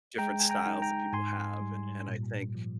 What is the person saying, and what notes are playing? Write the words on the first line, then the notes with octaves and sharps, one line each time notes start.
different styles that people have, and and I think,
G#3 G5 A#5
G#5
G5 A#5
D#4
G5 A#5
G#2 G#5 C6
G3
A#2
F3